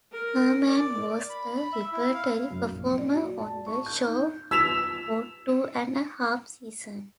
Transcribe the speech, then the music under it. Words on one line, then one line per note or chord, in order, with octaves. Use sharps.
Herman was a repertory performer on the show for two and a half seasons.
A#4
D5
B5
B5
E5
E4
F5
F#2
A#1
D5
F#4
A5
C#6
G6
D#4
E6 B6 E7 F7